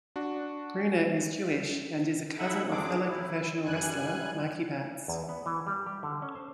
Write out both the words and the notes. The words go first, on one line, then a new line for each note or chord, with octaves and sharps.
Gruner is Jewish, and is a cousin of fellow professional wrestler Mikey Batts.
D4 F#4
F#3 D#4 E4 A4 E5 F#5
F2 F#3 C4 D4 G#4 D6
E4
F#2 G3 G#5 F#6
E2
B3
E3
G3
G4
D3
C#4
C5